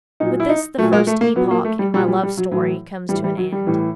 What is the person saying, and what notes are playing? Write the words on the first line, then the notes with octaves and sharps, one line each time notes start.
With this the first epoch in my love story comes to an end.
A#2 F#3 D#4
E4
D#4
A#2 F#3 A3
G#3
A3
A#3
A#2 F#3 B3
A#3
A3
G3
A#2 F#3 G3
G3
G3
F#3
A2 E3 F#3
A2 E3 G3
G3
F#3
G3
A2 E3